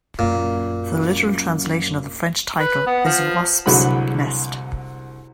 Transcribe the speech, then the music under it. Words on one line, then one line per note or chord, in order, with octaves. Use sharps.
The literal translation of the French title is Wasp's Nest.
F#2 A#2
B4
B3
F3
C2 D3 F#3 G#3 B5